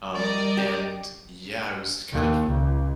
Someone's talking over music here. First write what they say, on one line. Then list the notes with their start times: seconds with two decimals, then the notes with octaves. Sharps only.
Um, and yeah, it was kind of
0.17 G3 A#4 D5 D#5
0.57 G4
2.13 D#2
2.48 C#2